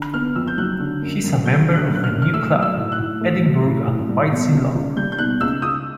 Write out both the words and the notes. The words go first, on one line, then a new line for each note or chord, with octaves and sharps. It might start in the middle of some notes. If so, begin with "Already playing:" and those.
He is a member of the New Club, Edinburgh and Whites in London.
Already playing: D3
B3 F6
F2 E6
G6
F#3 F#6
D3
F#2
F#2
F#3 G6
D3
F#6
F#2
F#6
F6
F#2
F6
A3 E6
F#3
E6
A2
F#6
A2
A3
F#3
A2
A2
G3
B2
C#2
C#2
G3 G6
G6
B2 F#6
C#2 E6
C#2 D#6